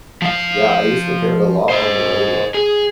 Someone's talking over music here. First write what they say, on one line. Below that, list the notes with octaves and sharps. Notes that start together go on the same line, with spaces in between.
Yeah, I used to hear it a lot on the radio,
F3 F5
C5 D#5
G#4